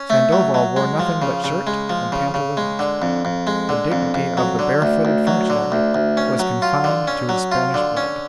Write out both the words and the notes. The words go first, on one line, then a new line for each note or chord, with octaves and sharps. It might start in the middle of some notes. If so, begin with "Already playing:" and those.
Sandoval wore nothing but shirt and pantaloons; the dignity of the barefooted functionary was confined to his Spanish blood.
Already playing: C#4
A3
F#3
F#3
G#3
F3
C#3
C#3
G#3
F3
C#3
C#3
G#3
D3
F2
F2
G#3
D3
F2
F2
F#3
D3
D2
D2
F#3
D3
D2
D2
C#4
F#3
F4
D3
C#4
F#3
F4
D3
C#4